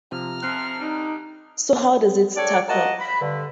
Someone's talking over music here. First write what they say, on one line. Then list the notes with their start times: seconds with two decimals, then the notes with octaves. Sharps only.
So how does it stack up?
0.12 C3 F3 A#5 F6
0.43 F2 C3 F3 C4 F#6
0.79 D3 G3 D#4
2.36 D4 G4 A4 C#5 D5
2.68 F4 F#4 A#4 D#5 F#5 A5
2.99 B5
3.21 G2 D3